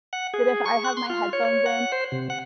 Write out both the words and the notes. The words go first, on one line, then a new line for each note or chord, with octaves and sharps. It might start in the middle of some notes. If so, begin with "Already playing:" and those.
that if I have my headphones in,
F#5
G#4
C#6
F#6
C6
F4
C#5
C#5
F#5
C5
C3
F#5